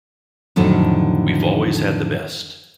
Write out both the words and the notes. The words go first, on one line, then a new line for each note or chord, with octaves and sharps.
We've always had the best.
F2 A2 D3 D#3 F#3